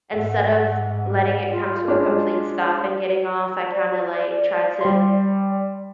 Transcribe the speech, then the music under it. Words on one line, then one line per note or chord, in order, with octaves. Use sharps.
instead of letting it come to a complete stop and getting off, I kinda, like, tried to
G#2 E5 F#5
F4
G#3 C#4 D4
D5
G3 C6